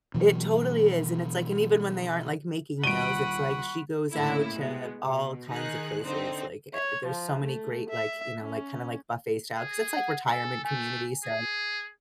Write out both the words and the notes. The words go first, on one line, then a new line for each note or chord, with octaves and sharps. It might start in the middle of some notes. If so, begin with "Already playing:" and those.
It totally is, and it's like and even when they aren't, like, making meals, it's, like, she goes out to all kinds of places like, eh, there's so many great, like, you know, like, kinda, like, buffet style 'cause it's, like, retirement community, so,
B2 E3 F#3
D#1 F#5 B5 C#6 D7 D#7 G7
A2 C#3 A3 A#3 E4
B2 G#3 B3
B2
D#3 D#4 G#4 F#6
D3 C4 D#4
C#5
F3
A3
E5
C#4
G#4
F#5
A4 G#5
A3 G#5
G#4